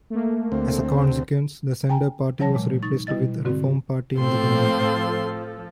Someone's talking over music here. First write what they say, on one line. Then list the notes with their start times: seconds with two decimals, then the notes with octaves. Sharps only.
As a consequence, the Centre party was replaced with Reform Party in the government.
0.10 A3 A#3
0.52 D2 C4
1.89 G5 G#5 A#5
2.39 C3 E3 F#3 C#5 A5 A#6
2.55 A#2 G#3
2.83 D#4 C#6 A6
3.07 B2 G3 E4 D#5 A6
3.45 G#2 D3 C4 F#4
4.18 A2 F3 C4 A4 C6